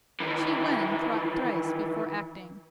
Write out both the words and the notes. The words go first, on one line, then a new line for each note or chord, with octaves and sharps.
Chi Wen thought thrice before acting.
D#3 E3